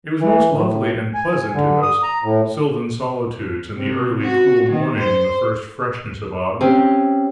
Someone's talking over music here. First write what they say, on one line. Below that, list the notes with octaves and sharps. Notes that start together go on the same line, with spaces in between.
It was most lovely and pleasant in those sylvan solitudes in the early cool morning in the first freshness of autumn.
E3
A2
G#5
D3
D#6
A#5
A2
C3
F#4
D#3
C5
C4 C#4 G4